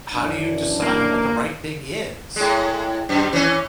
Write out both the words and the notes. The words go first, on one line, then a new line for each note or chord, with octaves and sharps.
how do you decide on what the right thing is
F#2 E3 D4
A#3
A2 G#3
F#2
E3 C#4